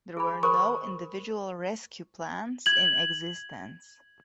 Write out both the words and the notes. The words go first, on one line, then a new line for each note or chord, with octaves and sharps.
There were no individual rescue plans in existence.
G#4 G#5 B5
A#4 C5 B5 C#6
G#6 F#7